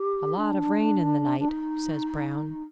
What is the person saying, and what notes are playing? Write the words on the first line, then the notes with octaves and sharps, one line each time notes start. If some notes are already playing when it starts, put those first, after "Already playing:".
"A lot of rain in the night," says Brown.
Already playing: G4
D4
D4
D#4